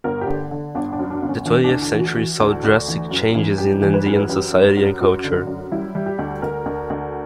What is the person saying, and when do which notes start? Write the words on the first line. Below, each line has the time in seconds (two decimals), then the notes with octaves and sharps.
The twentieth century saw drastic changes in Andean society and culture.
0.04 G1 A#4
0.21 G4
0.27 D3
0.51 D3
0.75 G1 D4
0.92 D4
0.99 F#2
1.10 D4
1.22 G1
1.29 C#4
1.46 E3 D4
1.64 D2 D4
1.82 D4
1.93 E3
1.99 F#4
2.17 E3
2.40 D2
2.64 D2
2.88 E3
3.11 F#2
3.35 E3
3.58 F#2 G4
3.82 E3
3.94 B4
4.06 F#2
4.29 F#2 G4
4.53 F#2
4.77 F#2
5.01 F#2 F#4
5.24 D3
5.47 F#2
5.71 G3 E4
5.95 G3
6.06 G4
6.19 D2
6.42 D2 A#4
6.66 D2
6.90 D2